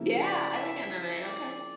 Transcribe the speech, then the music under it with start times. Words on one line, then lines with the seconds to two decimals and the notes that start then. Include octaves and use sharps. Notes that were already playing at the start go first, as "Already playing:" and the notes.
Yeah, I like MMA, okay.
Already playing: C#3 F3 A#3 E4
0.22 D5
0.55 E5
1.23 D5